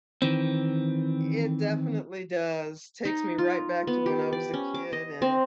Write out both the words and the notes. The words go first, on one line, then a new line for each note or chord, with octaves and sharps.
It definitely does, takes me right back to when I was a kid, and
D#3 E3 C4
D#4
F4
B3
G4
D5
C#4
D6
D#5
C4